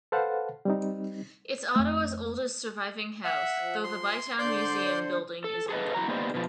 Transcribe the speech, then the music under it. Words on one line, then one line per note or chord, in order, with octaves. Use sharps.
It is Ottawa's oldest surviving house, though the Bytown Museum building is older.
A4 B4 C5 F5 F#5 A5
G3 C4 D#4
F2 A3
E5 F#5
F3
C6
D3 C5 D5 C6 G6
A4
G#4 A4 B4 D#5
E4 F#4 A#5
A#3 B3 D#4 G4 C5 D5
B2 F3